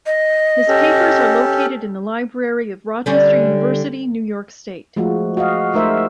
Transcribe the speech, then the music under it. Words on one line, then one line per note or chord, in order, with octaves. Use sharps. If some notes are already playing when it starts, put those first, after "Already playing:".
His papers are located in the library of Rochester University, New York State.
D#5
C#4 G4 A4
D3 G3 C#4
F3 G#3 A3 F4 F#4
F#4 D#5 F5
G#3 A3 D#4 A#4 C5 E5